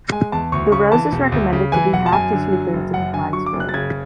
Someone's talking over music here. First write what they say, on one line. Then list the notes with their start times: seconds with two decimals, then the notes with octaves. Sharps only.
The rose is recommended to be half to two-thirds of the flag's width.
0.11 G#3 G#5
0.32 E2 A5
0.52 D2 C#6
0.72 C#3 C#6
0.92 E3 A5
1.12 E1
1.32 D2
1.53 C#3
1.72 E3 G#5
1.92 E1 F#5
2.06 A5
2.12 F#2 G#5
2.33 D3
2.53 F#3
2.73 F#1
2.93 F#2 F#5
3.13 D3 G#5
3.33 F#3 C#6
3.46 D6
3.53 F#1
3.60 F#6
3.69 A6
3.74 C#3 G#6